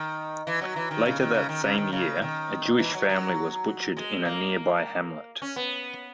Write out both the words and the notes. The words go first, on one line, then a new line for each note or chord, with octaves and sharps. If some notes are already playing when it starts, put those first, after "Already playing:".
Later that same year a Jewish family was butchered in a nearby hamlet.
Already playing: D#3
E3
F#3
E3
D#3
C#3
D#3
C#3
D#3
C#3
D#3
C#3
D#3
E3
F#3
F#3
G#3
A#3
C#4
B3